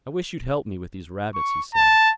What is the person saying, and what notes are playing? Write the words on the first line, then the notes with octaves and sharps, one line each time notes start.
"I wish you'd help me with these rabbits," he said.
C#6
A5